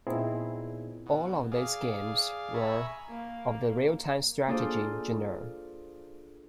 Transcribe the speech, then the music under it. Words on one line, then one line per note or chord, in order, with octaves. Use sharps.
All of these games were of the real-time strategy genre.
A#2 B3 C4 D#4 E4 G#4
B2
G#4 D5 F5
E5 G#5 A#5 B5 C#6
A#3
A#3 D4 F4 G#4 A4 C5